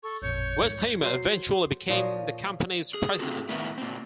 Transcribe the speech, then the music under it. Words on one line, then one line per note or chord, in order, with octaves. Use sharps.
Westheimer eventually became the company's president.
A4 C#6
A1 F2 A#2 C#5 G6
D#2 G#2
F#3 C5
A#2 F3 C#5 D#5
G#4
C#3 C4 F4 F#4 A4
A2 D#3 A#3 B3 E4
A#2 C4